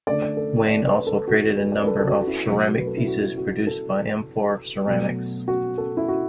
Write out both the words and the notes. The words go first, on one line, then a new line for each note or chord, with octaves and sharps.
Wain also created a number of ceramic pieces produced by Amphora Ceramics.
D3 A3 D5
D5
A4
D5
B4
A4
F#4
B4
D5
B4
A4
A4
F#4
F#4
E4
B2 F#3 A3 F#4
F#4
B4
A4
E4
F#4
F#4
F#4
A4
B2 F#3 A3
F#4
A4
E4
F#4